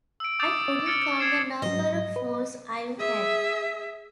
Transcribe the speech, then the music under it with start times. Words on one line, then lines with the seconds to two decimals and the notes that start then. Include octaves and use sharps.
I couldn’t count the number of falls I’ve had.
0.20 E6 D7
0.39 D6 D#6 G6 A6
0.86 E6 F6 A6 C#7 D7
1.19 G#6 C7 E7
1.62 G#2 F#3 D#5
2.16 B4
2.99 G#4 E5